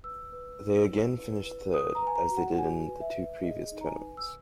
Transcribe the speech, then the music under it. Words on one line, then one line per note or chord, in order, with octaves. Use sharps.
They again finished third, as they did in the two previous tournaments.
B4 E6
B4
E4
E4
B4
B4
B4 D#6
A#5
B4 G#5
A#5
F#4
F#5
F#5
F#4 G#5
B4
E5
B4
G#4 D#5
D#4
A#5
G#5
B4
E6